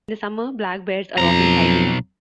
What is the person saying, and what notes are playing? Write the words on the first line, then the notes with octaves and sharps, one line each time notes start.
In the summer black bears are often sighted.
B1 F2 A#5